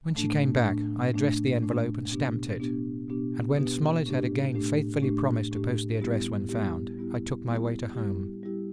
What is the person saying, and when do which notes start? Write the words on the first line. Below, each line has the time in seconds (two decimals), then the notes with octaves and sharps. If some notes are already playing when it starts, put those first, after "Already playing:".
When she came back, I addressed the envelope and stamped it, and when Smollet had again faithfully promised to post the address when found, I took my way to home.
0.16 A2 A3 D4
0.65 A2 A3 D4
1.13 A2 A3 D4
1.62 A2 A3 D4
2.11 B2 B3 D4 G4
2.60 B2 B3 D4 G4
3.08 B2 B3 D4 G4
3.57 B2 B3 D4 G4
4.06 A2 A3 D4 G4
4.55 A2 A3 D4 G4
5.03 A2 A3 D4 G4
5.51 A2 A3 D4 G4
6.00 G3 B3 E4 G4
6.49 G3 B3 E4 G4
6.97 G3 B3 E4 G4
7.46 G3 B3 E4 G4
7.95 G3 E4 G4
8.44 G3 E4 G4